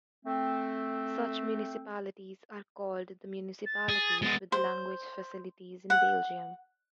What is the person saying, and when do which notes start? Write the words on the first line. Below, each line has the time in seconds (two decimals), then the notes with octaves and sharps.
Such municipalities are called the municipalities with language facilities in Belgium.
0.25 A3 C4
3.66 A6
3.89 G#4
4.22 G#3 B3 A6
4.52 C5
5.90 F#5